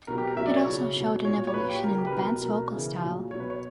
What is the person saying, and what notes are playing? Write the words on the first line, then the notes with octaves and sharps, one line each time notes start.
It also showed an evolution in the band's vocal style.
B2 F#3 A#4
G4
A#4
B2 F#3 E5
D5
C#5
C#3 F#3
B2 F#3
A#2 F#3 C#5
C#5
A#2 F#3 B4
G4
C#3 F#3 A#4
G4
B4
B2 F#3 A#4
B2 F#3 A#4
C#3 E3
A#2 F#3
B2 F#3 B4 C#5
C#5